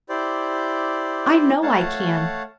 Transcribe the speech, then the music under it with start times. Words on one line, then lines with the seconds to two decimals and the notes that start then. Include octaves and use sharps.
I know I can.
0.09 E4 G4 C5 D5
1.62 A3 C#5 F5 F#5 A5